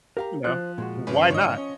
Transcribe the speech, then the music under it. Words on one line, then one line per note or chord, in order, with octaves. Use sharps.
you know, why not?
G4 A#4 F5 A#5
F3 C5 F#6
A#2 G#3 F#4
G1 C#3 B4
G#2 D3 C#5 D#5
C#4